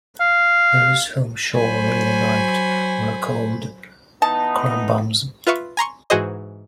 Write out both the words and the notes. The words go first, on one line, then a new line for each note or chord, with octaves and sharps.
Those whom Shor really liked were called "crum-bums".
F5
F#3 C5 G#5 B5
E3 B3 D#4 A5
F4 B4 E5 F5 C#6
G#5 A#5 C6 C#6
G#2 E3 F#4 G#4 C5 D#5